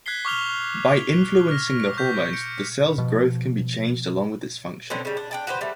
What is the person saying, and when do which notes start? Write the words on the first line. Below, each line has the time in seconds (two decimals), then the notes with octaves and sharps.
By influencing the hormones, the cells' growth can be changed along with its function.
0.06 F#6 G#6 B6 C7 G7
0.25 C#6 D6 F6 F7 G7
1.49 F6 A#6
1.97 C#6 G6 B6
2.33 G6 C#7 D7
2.98 B2 F3
4.90 B2 D3 C4 C#4
5.05 C#3 G3
5.17 D4
5.31 D4 G5 A5
5.47 F#4 G4 B4 C5
5.61 G3 A3